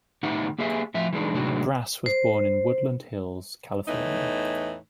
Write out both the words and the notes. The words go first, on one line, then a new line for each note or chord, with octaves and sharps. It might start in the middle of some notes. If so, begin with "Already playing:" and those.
Brass was born in Woodland Hills, California.
A2 D#3 D#4 E4 G4 F#5
A#3 G4 G#4 E5
A2 F3 E5
E3 G#3 D4 D#4
A2 C3 D#3 F#3 G#3 D4
C5
E2 A2 E3 D#4